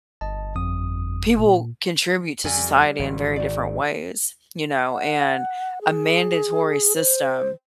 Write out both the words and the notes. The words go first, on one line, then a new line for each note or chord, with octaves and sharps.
people contribute to society in very different ways, you know, and a mandatory system
G1 D#5 A5
F2 D#6
A#2
F2 G3 G#5
G3
G#1
F#4 D5
F#5
G#4
C5